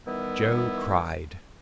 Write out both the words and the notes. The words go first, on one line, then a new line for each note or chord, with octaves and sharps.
Joe cried.
D#3 E3 G3 B3 E4